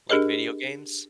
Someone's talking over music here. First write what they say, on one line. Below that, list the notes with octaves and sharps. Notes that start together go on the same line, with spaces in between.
Like video games?
D4 G4 G#4 A#4 D#5